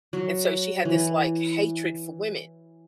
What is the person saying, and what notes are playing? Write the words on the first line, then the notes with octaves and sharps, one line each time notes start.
and so she had this, like, hatred for women,
F#3
E3